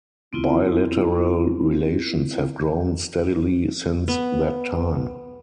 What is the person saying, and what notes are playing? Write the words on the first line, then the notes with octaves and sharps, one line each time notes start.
Bilateral relations have grown steadily since that time.
B3 C4 E4 F4
B3